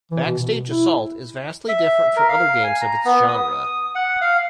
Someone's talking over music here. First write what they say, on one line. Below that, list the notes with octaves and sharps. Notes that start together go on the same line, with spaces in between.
"Backstage Assault" is vastly different from other games of its genre.
E3
B2
B2
E4
E5
A#4
F5
G#5
A#5
B3
D#6
F#5
F5